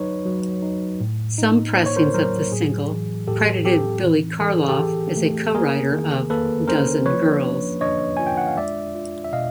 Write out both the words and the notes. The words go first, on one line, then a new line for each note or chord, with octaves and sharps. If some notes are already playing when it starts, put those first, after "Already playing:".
Some pressings of the single credited Billy Karloff as a co-writer of "Dozen Girls".
Already playing: F#3 D#4 B4 C#5
F#3
D#4
A2
D#4
A#3 C5
C#5
A#4 C5
F#3 A#4 C5
A2 G#4
E3
A2 G4 A4
C4 G4 A4
E3
E3 A4
G#4
G4 A4
E3
A3
A#3 G#4 A#4
D#3
A#3 A4 B4
C#4 A#4 C5
F3 B4 C#5
D4
D4 C#5 D#5
F4 G#5
G5
F#5
F5
G#3 D5 E5
F4
E5
B2 D#5 F5